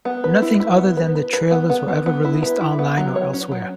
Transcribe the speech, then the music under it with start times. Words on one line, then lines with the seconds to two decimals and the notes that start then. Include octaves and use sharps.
Nothing other than the trailers were ever released online or elsewhere.
0.05 B3
0.24 B4
0.42 E4
0.60 E4
0.78 B3
0.97 B4
1.15 B4
1.33 B4
1.51 B3
1.70 B3
1.88 B3
2.06 B3
2.25 E4
2.43 B4
2.61 E4
2.79 B3
2.97 F#3
3.16 C#5
3.33 C#4
3.52 F#3